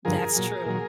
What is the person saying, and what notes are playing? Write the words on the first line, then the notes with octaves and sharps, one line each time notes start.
That's true.
G2 D3 F3 G#4 A#4
A#2 F#3
A#2 F#3